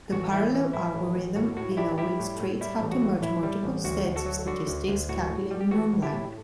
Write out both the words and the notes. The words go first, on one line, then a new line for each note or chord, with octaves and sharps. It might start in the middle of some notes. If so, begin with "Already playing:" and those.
The parallel algorithm below illustrates how to merge multiple sets of statistics calculated online.
A1 F#4
A1 E4
E3
A2 E4
A1
A1
A2 F#4
A2 F#4
D4 E4 G4
G3 E4 G4
A2
A2
G3 E4
A1
F#4
E3
A2 E4
G3
A1
D2 F#4
D2
F#4 A4
F#3
D3 F#4
D2
D2
A2 F#4
A2
G3
G4
E3 F#4
A2
E4 G4
A2